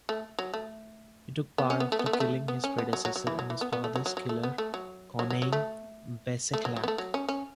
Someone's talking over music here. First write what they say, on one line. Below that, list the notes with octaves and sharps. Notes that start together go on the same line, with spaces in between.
He took power after killing his predecessor, and his father's killer, Conaing Bececlach.
A3
F#3
A3
B3
C#4
B3
A3
B3
A3
B3
A3
B3
C#4
B3
F#3
F#3
F#3
E3
F#3
E3
B3
B3
A3
F#3
F#3
F#3
A3
B3
A3
F#3
F#3
F#3
F#3
A3
A3
F#3
F#3
B3
A3
F#3
C#4
C#4